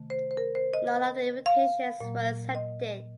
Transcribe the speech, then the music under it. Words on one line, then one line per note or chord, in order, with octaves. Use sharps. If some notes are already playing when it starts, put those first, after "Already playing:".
None of the invitations were accepted.
Already playing: C3 D#3 A3
C5
C5
A#4
C5
D#5
F5
A#2 F#3 A#3
D#5